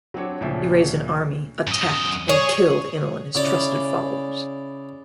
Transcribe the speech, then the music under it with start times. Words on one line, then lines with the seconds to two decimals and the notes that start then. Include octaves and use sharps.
He raised an army, attacked, and killed Inel and his trusted followers.
0.14 F#3 C4 D4 C#5
0.41 D2 A#2 C#3 F3 C5 E5
1.67 F#2 D#5
2.29 G#4 C#5
3.35 C#3 E4 D5